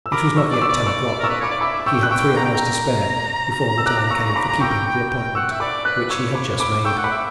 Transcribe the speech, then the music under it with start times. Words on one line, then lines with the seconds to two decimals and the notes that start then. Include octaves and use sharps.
It was not yet ten o'clock--he had three hours to spare before the time came for keeping the appointment which he had just made.
0.06 E6
0.12 A#4 B5 D6
0.36 C#6 E6
0.49 D5 D6
0.61 C#6 E6
0.68 D5
0.86 C#6 E6
1.19 A#4 C#6 E6
1.29 B4
1.41 C#5 B5 D6
1.51 D5
1.61 E5 B5 D6
1.80 D6
1.86 G5 C#6 E6
2.03 F#6
2.11 G5 C#6 E6
2.37 A#5
2.45 G5
2.54 A#5
3.78 E6
3.86 D6 F#6
4.10 C#6 E6
4.30 C#6
4.36 B5 D6
4.49 A#5 D6
4.60 G5 C#6 E6
4.86 G5
5.10 G5
5.35 F#5 C#6 E6
5.51 E5
5.60 D5 B5 D6
5.85 B4 D6 F#6
6.10 C#5 C#6 E6
6.35 B5 D6
6.60 B5 D6
6.85 G5 C#6 E6
6.98 F#5
7.04 B5 D6
7.11 E5